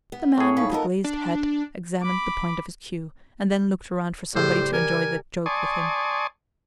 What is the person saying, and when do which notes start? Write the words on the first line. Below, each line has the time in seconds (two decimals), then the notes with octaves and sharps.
The man with the glazed hat examined the point of his cue, and then looked around for somebody to enjoy the joke with him.
0.12 B3
0.38 A2 G#4 C#5
0.57 D#4 B4 F5 C#6
0.71 B3 D#4 F4 A4 A#4
1.04 D4
2.02 B5 D6
4.35 A2 C#3 G3 G4 G#4 C5
4.73 A#4 G#5
5.46 D5 G#5 A5 C6 C#6 D#6